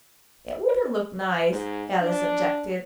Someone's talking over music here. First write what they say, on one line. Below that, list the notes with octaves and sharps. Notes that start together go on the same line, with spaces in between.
'It wouldn't look nice,' Alice objected.
G#2
D4